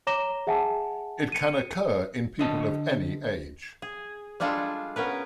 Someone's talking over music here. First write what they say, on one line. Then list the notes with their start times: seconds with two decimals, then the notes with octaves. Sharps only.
It can occur in people of any age.
0.07 C#5 A#5 D6 A#6 E7 G7
0.47 G#4 E5 F#5 G#5 A5
1.32 C#7 D#7
2.39 D3 D#5 A5
3.82 G#4
4.40 G3 G#3 D4 F4 G#4 A4
4.96 B3 C#4 A#4 B4